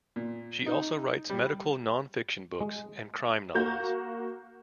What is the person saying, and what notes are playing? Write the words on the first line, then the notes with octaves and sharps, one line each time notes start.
She also writes medical nonfiction books and crime novels.
A#2
D#4
G3
G#3
A#3 F#4 A#5 G6